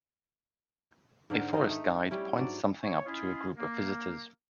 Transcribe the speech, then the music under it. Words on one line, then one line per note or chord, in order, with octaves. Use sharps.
A forest guide points something up to a group of visitors.
G#2 D3 A#4
D#3 D#4 C5 D#5
A3
G3 C#4 E4
G#2 F#3 D4 D5
C#5
C#4 E4 F4 G#4 D#5
A#3